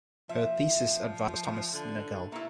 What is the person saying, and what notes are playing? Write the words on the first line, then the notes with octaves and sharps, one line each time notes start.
Her thesis advisor was Thomas Nagel.
F3 E5
D3
A3 A#3 E4